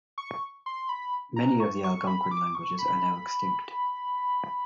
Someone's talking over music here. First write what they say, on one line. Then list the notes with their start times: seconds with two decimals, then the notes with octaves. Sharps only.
Many of the Algonquian languages are now extinct.
0.18 C#6
0.66 C6
0.89 B5
1.36 A#5
1.60 C#6
1.84 C#6
2.07 B5
2.31 D6
2.55 C#6
2.79 B5